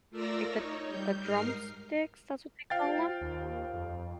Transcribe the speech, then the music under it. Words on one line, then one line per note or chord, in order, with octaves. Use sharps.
like, the Dr the Drumsticks, that's what they call 'em?
A3 F4 A#4 D5 E6 A#6
D#4 C#5
G3 G6
G#2 D#4 A#4 F6 C7
F4 C5 F5 G5 A6
D#2
F2